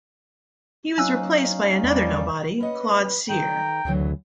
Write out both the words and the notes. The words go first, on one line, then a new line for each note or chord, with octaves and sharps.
He was replaced by another nobody, Claude Cyr.
F#3 C#4 D#4 F5 G#5 E6 F#6
E2 G3
C#4 B4 D#5 F#5
D#3 A4 B4 G5 A#5
D2 C#3 E3 F#3